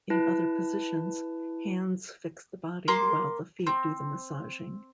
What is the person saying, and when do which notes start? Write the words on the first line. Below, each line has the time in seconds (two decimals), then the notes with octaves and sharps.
In other positions, hands fix the body, while the feet do the massaging.
0.10 E4 B4 A5
2.88 A#3 C6 D6
3.67 C4